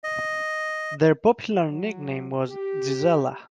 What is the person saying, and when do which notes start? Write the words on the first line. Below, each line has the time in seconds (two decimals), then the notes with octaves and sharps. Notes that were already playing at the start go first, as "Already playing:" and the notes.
Their popular nickname was "Gisela".
0.04 D#5
1.69 F#3
2.49 G4